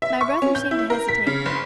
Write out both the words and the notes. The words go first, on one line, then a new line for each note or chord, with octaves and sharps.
My brother seemed to hesitate.
E5
C#6
C#4
G6
E4
A#4
B6
C#3
F#1